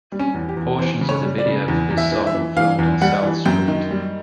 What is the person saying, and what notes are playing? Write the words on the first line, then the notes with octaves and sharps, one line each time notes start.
Portions of the video for this song were filmed on South Street.
G3
C#4
E2
G4
E2
E3 C5
C#3
C#5
G3
D5
C#3
E2
E2
E5
E3
E5
E3
E3 F5
E2
G3 F#5
E3
F#2 G5
D#3
G3